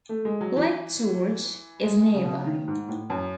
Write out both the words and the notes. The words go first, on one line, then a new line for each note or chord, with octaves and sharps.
Lake George is nearby.
A3
G#3
F#3
E3
G#3
G#3
C#3
B2
C#3
D#3
G#2
A2
F#2